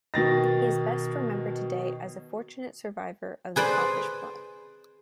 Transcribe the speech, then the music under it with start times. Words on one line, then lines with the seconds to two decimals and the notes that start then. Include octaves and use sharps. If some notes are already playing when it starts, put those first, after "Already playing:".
He is best remembered today as a fortunate survivor of the Popish Plot.
0.14 B2 D#3 A6 A#6
3.56 G#4 B4 C5 D5